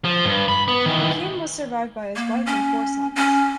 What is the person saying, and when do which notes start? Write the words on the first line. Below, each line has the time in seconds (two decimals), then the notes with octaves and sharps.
Hakim was survived by his wife and four sons.
0.05 F3
0.25 G2
0.48 B5
0.68 B3
0.86 D#3 E3
2.16 A#3
2.46 C#4
3.16 C#4